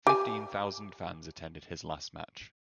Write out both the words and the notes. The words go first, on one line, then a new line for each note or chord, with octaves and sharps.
Fifteen-thousand fans attended his last match.
G4 G#5